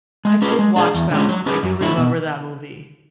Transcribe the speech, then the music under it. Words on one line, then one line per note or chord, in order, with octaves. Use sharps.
I did watch that one; I do remember that movie.
G#3
C#4 G#4 B4
G#3
D4 G#4
E2
D3 G#3 C#4
F#3
C#4 G#4 B4
F#2
D3 A3 E4
B2